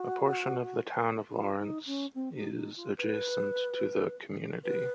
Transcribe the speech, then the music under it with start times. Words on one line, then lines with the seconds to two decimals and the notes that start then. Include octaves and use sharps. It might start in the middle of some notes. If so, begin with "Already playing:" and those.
A portion of the Town of Lawrence is adjacent to the community.
Already playing: F#4
1.30 F4
1.59 D#4
1.86 C#4
2.14 C4
2.35 D#4
2.56 D#4
2.77 F4
2.98 B4
4.65 B4